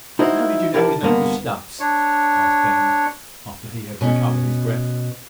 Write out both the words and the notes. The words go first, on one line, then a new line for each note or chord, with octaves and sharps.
"How did you know his name was Stubbs?" asked Ben, after he had recovered his breath.
D#4 E4 F#4 C5
E4 G4 A#4 D5 F5 A5
G2 D3 A#3 B3
D4 C#5
B2 C#4